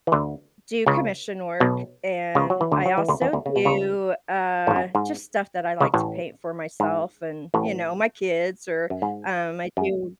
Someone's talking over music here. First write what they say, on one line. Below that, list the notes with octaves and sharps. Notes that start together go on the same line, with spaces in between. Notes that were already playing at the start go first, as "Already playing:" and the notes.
do commission work, and I also do, uh, just stuff that I like to paint for myself and, you know, my kids, or, um, I do
E3
D2 D3
C#2 C#3
B1 B2
C#2 C#3
F#3
E3
D2 D3
F#3
E3
D2 D3
E2 E3
D2 D3
C#3
B2
C#2 C#3
A1 A2
G#2
F#2
G#2
C#2 C#3
A1 A2
G#2
A1 A2
F#2
G#2
F#2